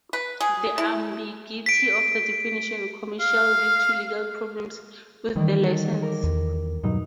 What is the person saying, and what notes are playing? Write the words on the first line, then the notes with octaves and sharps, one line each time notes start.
The ambiguity of the definition "commercial" lead to legal problems with the license.
B4
G#4
E4
B6 D7
F5
D#3 E3 G3 A#3
A4
A#4 D6
E2
G2 B2 F#3 D#4